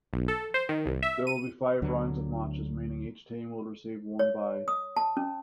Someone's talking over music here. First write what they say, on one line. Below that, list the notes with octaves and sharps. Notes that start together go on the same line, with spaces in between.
There will be five rounds of matches meaning each team will receive one bye.
B1
A4
C5
D#3
C2
E5
D#7
D2 D3 F#3
C#5
D#6
A5
C#4